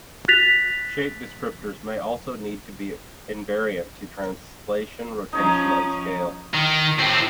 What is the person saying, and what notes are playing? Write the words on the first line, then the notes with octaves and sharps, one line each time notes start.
Shape descriptors may also need to be invariant to translation, rotation, and scale.
F#6 A6 B6 F7
F3 C#4 D#4 C#5 A#5
D#3
A2 C4